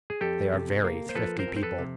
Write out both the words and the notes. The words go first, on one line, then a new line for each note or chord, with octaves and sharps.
They are very thrifty people.
G#4
F2 G4 A4
C3
A#3
C5
F3 A4 B4
A#4 C5
F2
C5
A4 B4
C3